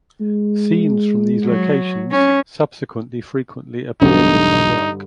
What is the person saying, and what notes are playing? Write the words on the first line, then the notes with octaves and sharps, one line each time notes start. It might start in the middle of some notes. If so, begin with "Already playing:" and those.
Scenes from these locations subsequently frequently appeared in her work.
G#3
F#3
C#4
E1 B1 G2 D3 D#4